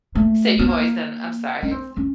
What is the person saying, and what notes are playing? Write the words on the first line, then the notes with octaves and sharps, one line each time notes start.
Said you've always done I'm sorry, it's
A3
B3
A#3
C#4
C4
C#4